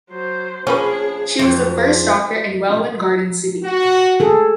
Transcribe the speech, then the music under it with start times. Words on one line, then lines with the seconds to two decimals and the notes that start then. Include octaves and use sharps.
She was the first doctor in Welwyn Garden City.
0.10 F#3 C5
0.67 F3 A#3 C#4 D4 G#4 B4
1.39 F2 F#3
1.75 G#4
3.65 F#4
4.20 G#4 A4